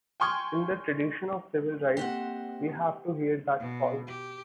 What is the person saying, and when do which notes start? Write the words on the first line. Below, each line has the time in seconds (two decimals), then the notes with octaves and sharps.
In the tradition of civil rights, we have to hear that call.
0.20 G5 G#5 C6 C#6 F6 G#6
1.97 A#3 C4 G4 C5 F#5 A#6
3.59 B2
4.07 G4